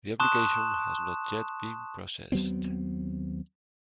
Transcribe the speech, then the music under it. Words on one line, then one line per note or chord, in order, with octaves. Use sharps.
The application has not yet been processed.
A5 C6 C#6 D#6 F#6 E7
D#2 F#3 B3 C4